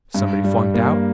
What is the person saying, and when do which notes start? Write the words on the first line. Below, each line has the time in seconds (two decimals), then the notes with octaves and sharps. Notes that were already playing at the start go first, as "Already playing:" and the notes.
Somebody flunked out?
0.14 G2
0.44 G3
0.74 A#3